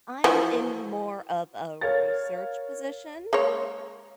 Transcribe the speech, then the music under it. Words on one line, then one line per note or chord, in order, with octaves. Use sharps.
I'm in more of a research position,
E3 F3 F#4
A#4 C#5 F5 A6
G#3 A#3 C#5